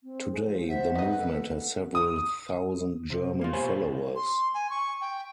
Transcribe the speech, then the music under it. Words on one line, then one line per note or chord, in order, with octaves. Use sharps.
Today the movement has several thousand German followers.
C4
G#4 C5
F3
C5 E5 F#5
C4 D#4 B4 D#5
A4
D#6
C3
A#3 F4
B2 G4 C5 C#5 G#5 B5
C6
G#5
C#6
G5